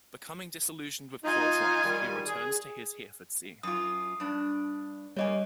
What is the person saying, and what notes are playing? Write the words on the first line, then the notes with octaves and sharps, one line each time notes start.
Becoming disillusioned with court life he returned to his Hereford see.
D#4 F4 G#5
D#3 G3
G#4
F#2 F4 D6 D#6
G2 D4
G2 G3 A#3 C#5 D#5 G#5